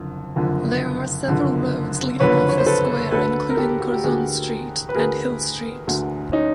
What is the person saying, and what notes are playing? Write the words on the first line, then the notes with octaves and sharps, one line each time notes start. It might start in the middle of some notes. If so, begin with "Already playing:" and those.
There are several roads leading off the square including Curzon Street and Hill Street.
Already playing: F#1 F2 D3
F#1 F2 D3
F#1 F2 D3
F#1 F2 D3 B4 C#5
C#5
C5
A4 B4
D2 D3 A4 B4
A#4
G4 A4
F#4
G4
D2 D3 F#4 G#4
B4
D2 D3 G#4 A#4
D2 D3
C#4 D#4